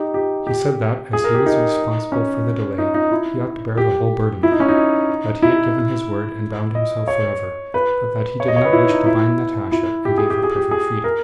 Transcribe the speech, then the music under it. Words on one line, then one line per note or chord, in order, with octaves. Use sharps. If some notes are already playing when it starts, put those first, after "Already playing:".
He said that as he was responsible for the delay he ought to bear the whole burden of it; that he had given his word and bound himself forever, but that he did not wish to bind Natasha and gave her perfect freedom.
Already playing: D#4 G4
G4
G4
G#4
A#4
G4
D#4
C#4
D#4
D#4
E4
G4
E4
D#4
C#4
D#4
E4
D#5
C#5
B4
C#5
D#5
C#5
B4
E4
D#4
E4
E4
G4
G#4
G4
G#4
G4
G#4
A#4